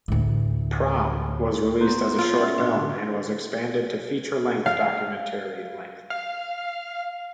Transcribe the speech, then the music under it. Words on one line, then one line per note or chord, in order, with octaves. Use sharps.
"Prom" was released as a short film and was expanded to feature-length documentary length.
D2 A2
A#3 B3 A#5 C6 F#6 G6
F4 C#5 E6
C#4 E5 F#5 C6 F6
A2 D4
D3
F5
F5